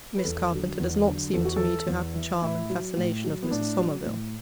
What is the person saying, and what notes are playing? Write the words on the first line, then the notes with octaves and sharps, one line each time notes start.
Miss Carpenter does not seem to me to have the charm and fascination of Mrs. Somerville.
B4
E2 A4
D3 F#3
E2
D3 F#3
E2 A4
F#4
E3 A4
E2
E3
A2 E4
F#3
A2
F#3
B3
A2 D4
F#3
A2